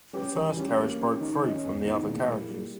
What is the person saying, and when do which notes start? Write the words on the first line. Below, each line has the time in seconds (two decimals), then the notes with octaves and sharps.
The first carriage broke free from the other carriages.
0.13 G3 C#4 G4 B4
0.35 E3
0.57 G3 C#4 G4
0.78 A#3
0.99 C#4 G4
1.21 D#3
1.42 G#3 C#4 G#4 D#5
1.64 E2
1.85 D#3 G#3 B3 E4
2.07 A#2
2.28 G3 A#3 E4 G#4
2.50 G3